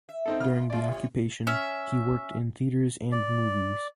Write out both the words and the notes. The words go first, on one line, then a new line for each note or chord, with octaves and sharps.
During the occupation, he worked in theaters and movies.
E5
C4 D#4 A4
A#3 F4 F6
E3 G#3 F4 D5
G3 C#5
C#4 E5
D5